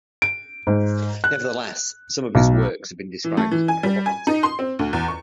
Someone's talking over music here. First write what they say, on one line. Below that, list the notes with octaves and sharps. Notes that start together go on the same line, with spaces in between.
Nevertheless, some of his works have been described as programmatic.
D7
G#2
F#6
B1
E3
A3
E3
G#5
G3
G#5
D#4
C6
C4
D2
E2
C#6